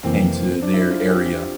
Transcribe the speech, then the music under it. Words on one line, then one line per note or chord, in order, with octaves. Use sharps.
came to their area
F2 C3 E3 A#3 C4
D4
E4
F4
G4
G4